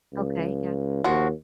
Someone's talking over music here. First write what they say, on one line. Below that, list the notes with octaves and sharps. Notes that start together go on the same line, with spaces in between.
Okay. Yeah.
C#2
D#2 F3 F#4